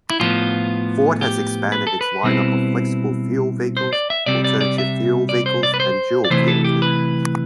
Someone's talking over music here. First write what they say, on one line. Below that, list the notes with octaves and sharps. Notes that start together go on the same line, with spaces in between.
Ford has expanded its lineup of flexible-fuel vehicles, alternative fuel vehicles, and dual-fuel vehicles.
E4
A2 F3 B3 F4
G4
B4
A4
B4
B2 G3 C4 E4
C5
D5
E5
C3 G3 C4 D5
D5
D5
E5
D5
C5
D5
B4
C5
D5
C3 E3 A3 E4 C5
A4
G4
B4